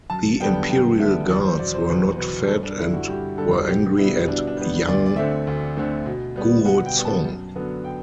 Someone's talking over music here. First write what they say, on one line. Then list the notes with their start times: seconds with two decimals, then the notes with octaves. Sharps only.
The imperial guards were not fed and were angry at Yang Guozhong.
0.10 F#2 A5
0.40 D3 G3 B3 G5
0.69 F#2 G5
0.99 D3 G3 B3 E5
1.29 E2 D5
1.44 C5
1.59 B2 F#3 D5
1.74 C5
1.89 E2 B4
2.18 B2 F#3 B4
2.48 G2 A4
2.63 D4
2.79 D3 G3 E4
2.94 F#4
3.08 G2 G4
3.38 D3 G3 A4
3.68 B2 G4
3.98 G3 B3 E4
4.28 B2 D4
4.47 D4
4.57 G3 B3
4.87 D2 D5
5.06 D5
5.16 D3 A3 C4 E5
5.47 D2
5.77 D3 A3 C4
6.06 B2
6.36 G3 B3
6.65 B2 F#5
6.86 G5
6.96 G3 B3
7.05 A5
7.25 F#2
7.55 D3 F#3 B3
7.85 G5